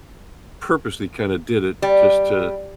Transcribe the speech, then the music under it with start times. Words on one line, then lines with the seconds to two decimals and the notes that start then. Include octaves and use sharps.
purposely kinda did it just to
1.82 G3